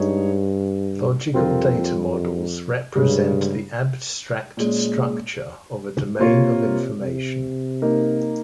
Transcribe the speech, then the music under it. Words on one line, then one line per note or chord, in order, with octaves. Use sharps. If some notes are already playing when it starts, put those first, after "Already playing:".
Logical data models represent the abstract structure of a domain of information.
Already playing: G2 G#3 D#4 G#4 C#5
F2 G3 C4 F4 A#4
G2 C#3 G#3 C#4
A#2 G#3 C#4
C3 A#3 F4 A#4 C#5
C3
A#3 D#4 A#4